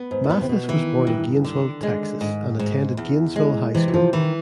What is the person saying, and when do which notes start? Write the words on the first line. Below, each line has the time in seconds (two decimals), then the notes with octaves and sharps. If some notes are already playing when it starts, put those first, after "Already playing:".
Mathis was born in Gainesville, Texas, and attended Gainesville High School.
Already playing: B3
0.11 G#2
0.24 A#2
0.30 A2 B3
0.41 C3
0.49 B2
0.68 D#3 E3
1.07 G2
1.44 D3
1.83 G#3
2.21 G#2
2.59 G#2
2.97 E2
3.36 G#3
3.74 C3 E3
3.88 F#3
3.94 F3
4.13 D#3 E3